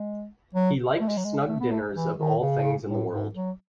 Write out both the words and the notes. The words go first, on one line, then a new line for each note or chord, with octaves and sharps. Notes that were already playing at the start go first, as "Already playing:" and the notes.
He liked snug dinners of all things in the world.
Already playing: G#3
F#3
A3
G#3
F#3
G#3
A3
B3
A3
E3
D#3
C#3
A2
G#2
F#3